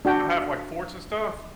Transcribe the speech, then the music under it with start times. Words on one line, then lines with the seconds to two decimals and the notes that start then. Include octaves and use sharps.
I have, like, forts and stuff,
0.05 D4 F#4 G5